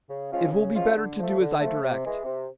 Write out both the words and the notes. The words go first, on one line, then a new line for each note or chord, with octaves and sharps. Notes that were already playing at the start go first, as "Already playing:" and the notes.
It will be better to do as I direct.
C#3
F3 G#3 C#4 F4
C#3
F3 G#3 C#4 F4
D3
F3
A3
D3
F3 A3
C3
E3 G#3
C3